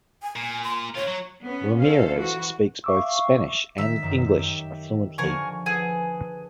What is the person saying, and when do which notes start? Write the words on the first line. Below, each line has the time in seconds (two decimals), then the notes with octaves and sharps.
Ramirez speaks both Spanish and English fluently.
0.23 G#5
0.36 A#2
0.64 C6
0.95 G2 F4 C#5
1.08 F#3
1.46 B3 C#4
1.80 C#4 A4 C5 F5
2.17 E3 F#4
2.84 E5 F5 C#6 D6 E6
3.78 D#3 E5
4.03 F#2 D#3
4.39 G4
5.18 D3 F3 A#4 G#5 C#6
5.66 G#4 A4 B4 F#5 G#5